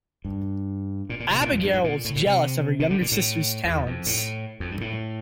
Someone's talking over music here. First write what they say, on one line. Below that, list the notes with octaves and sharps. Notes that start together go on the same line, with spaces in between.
Abigail was jealous of her younger sister's talents.
G2
A#2
A#2
C3
A#2
F2
G2
G2
A#2
A2
A2
C3
C3
D3
A#2
A2
E2
F2
A2
F2
G2
A2